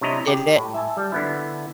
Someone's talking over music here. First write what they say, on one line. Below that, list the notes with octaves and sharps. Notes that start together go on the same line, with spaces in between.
Did it?
C3 D4 E4 C#5 D#5 A#5
G4
A2
E5 G#5 A5
G3
D3 B3 E4